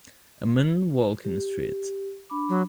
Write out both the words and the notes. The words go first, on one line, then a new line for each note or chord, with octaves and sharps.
A man walks on the street.
G4
D4 B5 D6
F#3